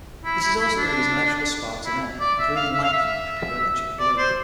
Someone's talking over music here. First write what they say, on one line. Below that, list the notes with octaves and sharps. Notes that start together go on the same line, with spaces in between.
This is also the reason electrical sparks in air, including lightning, appear electric blue.
E4
E4
E4
D4
E4
D5
E5
F5
E5
F5
E5
D5
C5